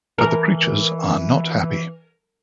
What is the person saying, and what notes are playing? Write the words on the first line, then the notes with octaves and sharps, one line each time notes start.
But the creatures are not happy.
E3 A#4